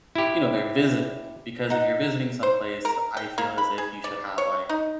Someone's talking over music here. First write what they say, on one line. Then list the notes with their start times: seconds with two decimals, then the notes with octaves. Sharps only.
you know, they're visiting. Because if you're visiting someplace, I feel as if you should have like
0.15 E4 G4
1.70 D#4 F#5
2.43 C5
2.85 A#4
3.17 G5
3.38 A#3
3.58 B5
3.78 G#4
4.04 D5
4.38 C#5
4.69 D#4